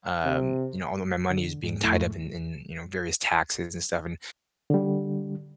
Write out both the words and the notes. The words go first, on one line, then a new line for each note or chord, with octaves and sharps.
um, you know, all of my money is being tied up in in, you know, various taxes and stuff, and
C3
D3
G#2
F2 A3 E4
G#2
D3 G3